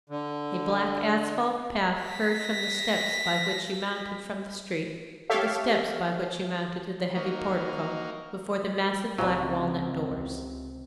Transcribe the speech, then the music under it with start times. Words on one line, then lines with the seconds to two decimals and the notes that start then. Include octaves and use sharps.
A black asphalt path curved from the steps by which you mounted from the street to the steps by which you mounted to the heavy portico before the massive black walnut doors.
0.10 D3
2.01 A#6 B6
5.30 G4 A4 C#5 E5 F5
7.16 A#3 D#4 F#4
9.18 C#2 G#2 C3 F#3 C4 F4